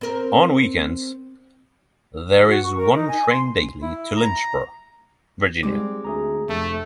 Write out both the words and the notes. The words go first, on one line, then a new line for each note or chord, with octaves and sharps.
On weekends, there is one train daily to Lynchburg, Virginia.
C4 A#4
F#4
C#6
A#4
D#4
G#5
C6
E4
A#5
G3 G#3 C4 D#4 D6
D2 A3 G#4 A#5
F1 F2 A3 C4